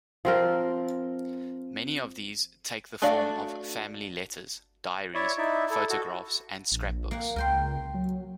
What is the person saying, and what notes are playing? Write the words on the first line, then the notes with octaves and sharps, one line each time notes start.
Many of these take the form of family letters, diaries, photographs, and scrapbooks.
F3 C4 A#4
A3 D4 F#4 D5 F5
E4 C#5 D5 E5
D#4 E4 D5 E5
E4 A4
F#4 A4
A#1
A#3 F#5
C#2 A#4 G5 C6
F#3